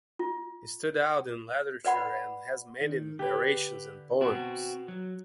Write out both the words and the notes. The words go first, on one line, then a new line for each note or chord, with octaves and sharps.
He stood out in literature and has many narrations and poems.
F4
B4 D5 F#5 B5
D#3
D3 G4 B4
B2 C4 F#4
F#3